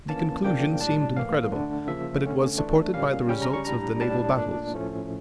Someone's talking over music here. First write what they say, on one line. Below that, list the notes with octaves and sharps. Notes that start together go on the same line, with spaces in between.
The conclusion seemed incredible, but it was supported by the results of the naval battles.
E3 A#3 C#4 A5
C#3 F3 A#3 D4 G5
A2 G3 D4 A5
A2 E3 A#3 F5
D3 A3 D4
C#3 F3 A#3 E5
D3 A3 C#4
E3 A3 D4
A#2 G3 A#3 C#4 F5
C#3 G3 C#4 G5
A#5
C#6
A2 G3 D4 A#5
A2 G3 D4 A5
A#2 A3 D4
A2 F3 A3 C#4